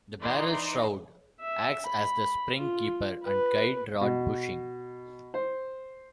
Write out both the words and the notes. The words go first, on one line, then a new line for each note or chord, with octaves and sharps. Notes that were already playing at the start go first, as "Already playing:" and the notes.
The barrel shroud acts as the spring keeper and guide rod bushing.
E3 D#4 D5 C6
E5
B5
F4
B4
B2
C5